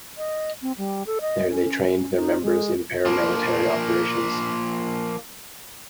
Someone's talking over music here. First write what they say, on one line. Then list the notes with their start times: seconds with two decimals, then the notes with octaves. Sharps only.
There they trained their members in paramilitary operations.
0.18 D#5
0.62 C4
0.78 G3
1.07 A4
1.21 D#5
1.51 C#4
2.16 D#4
2.42 G#3
3.05 F3 A#3